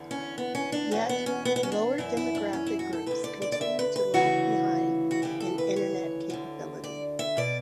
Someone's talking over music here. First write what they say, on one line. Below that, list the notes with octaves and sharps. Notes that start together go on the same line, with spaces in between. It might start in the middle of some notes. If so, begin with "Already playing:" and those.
Yet, lower demographic groups continue to lack behind in internet capability.
Already playing: E2 D3
C#4
B3
C#4
D4
E2 B2 C#4
B3
C#4
B3
B3
C#4
D4
F#2 E3 E4
E4
D4
C#4
E4
F#4
A4
D2 D3 B4
D5
D5
D5
E5
B4
B4
D2 C#3 E3 F#4
F#4
D2 C#3 E3 G4
A4
B4
C#5
D2 D3
D5
E5
B2 D5